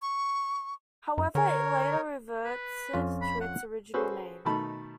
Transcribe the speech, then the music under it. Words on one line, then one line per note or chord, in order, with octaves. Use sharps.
However, it later reverted to its original name.
C#6
F#2
D3 A#4 C#5
B4
F2 C#4 F4
B5
F#5
C#4 F#4 G#4 A4 B4 C5
B2 D#3 A3 D#4 A5 B5